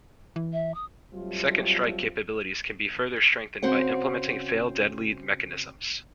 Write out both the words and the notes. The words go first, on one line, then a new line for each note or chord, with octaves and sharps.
Second-strike capabilities can be further strengthened by implementing fail-deadly mechanisms.
E3
E5
D#6
F#3 G3 A3 C4 F4
C#3 C4 F#4 C5 F#5